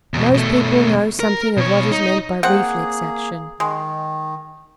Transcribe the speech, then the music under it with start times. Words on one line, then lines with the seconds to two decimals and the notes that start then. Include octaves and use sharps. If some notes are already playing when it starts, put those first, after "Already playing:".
Most people know something of what is meant by reflex action.
0.14 E2 B2
0.35 B2 A3
1.20 A#4
1.57 B2 C#5
1.92 D#4
2.43 A#3 C4 G#4 F#5
3.60 D#3 G#3